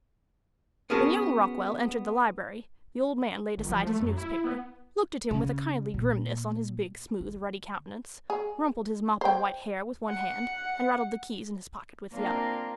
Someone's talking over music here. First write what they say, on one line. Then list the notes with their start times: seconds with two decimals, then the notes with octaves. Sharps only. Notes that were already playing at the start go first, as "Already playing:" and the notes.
When young Rockwall entered the library the old man laid aside his newspaper, looked at him with a kindly grimness on his big, smooth, ruddy countenance, rumpled his mop of white hair with one hand and rattled the keys in his pocket with the other.
0.90 B3 C#4 F#4 G#4 A#4 A5
3.58 G1
3.70 F3
3.86 A3
4.02 F#2
4.17 E4
4.44 B3
5.31 C#3
5.94 A#2
7.20 D3
8.30 G#4
9.21 C5 G5
10.10 F#5
12.13 A#3 C4 D4 F4 A#4